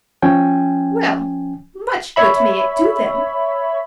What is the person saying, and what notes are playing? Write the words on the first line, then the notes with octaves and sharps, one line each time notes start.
Well, much good may it do them!
F3 C#4 G5 G#5
C#5 E5 B5